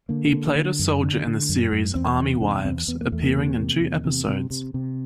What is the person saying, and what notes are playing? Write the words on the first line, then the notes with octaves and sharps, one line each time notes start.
He played a soldier in the series "Army Wives", appearing in two episodes.
D3 A#3
D3
D3
F#2
D3
D3
F#2
F#2
E2 C4
C3 C#4
E2 D4
E2 C4
E2 B3
A#3
E2 A3
A#3
C3
C3
E2
C3
C3
C3
C3